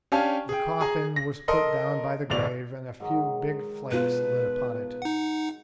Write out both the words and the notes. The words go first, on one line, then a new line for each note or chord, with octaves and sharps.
The coffin was put down by the grave, and a few big flakes lit upon it.
C#4 D4 G4 F5 G#5 A5
G#4 G5
G#4 G#5 A#5
A#6
A4 A#4 D#5 C6 D#6
D1 G1 A2 D5 F7
G#2 D#3 F#3
B2 F4 B4
D#4 F#5